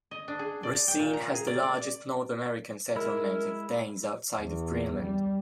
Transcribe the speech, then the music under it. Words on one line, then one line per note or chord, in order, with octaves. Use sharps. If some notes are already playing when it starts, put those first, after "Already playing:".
Racine has the largest North American settlement of Danes outside of Greenland.
D#5
D4
G#4
D5
G5
A#2
A#5
G#4
D5
D5
G#3 E4 A#4
E2
G3